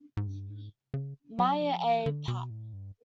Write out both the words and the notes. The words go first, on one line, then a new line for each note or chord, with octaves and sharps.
Mayer A", "Pap.
G#2
G2
G#2
C#3
F#3
F3
E3
D3
B2
A2
G2